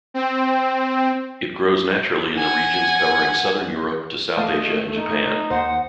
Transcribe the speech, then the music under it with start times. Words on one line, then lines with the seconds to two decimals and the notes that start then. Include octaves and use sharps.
It grows naturally in the regions covering Southern Europe to South Asia and Japan.
0.14 C4
2.38 F#5 G#5
4.37 A3 D#5 F5 A5 D#6
4.96 D#4
5.50 D#2 C5 F#5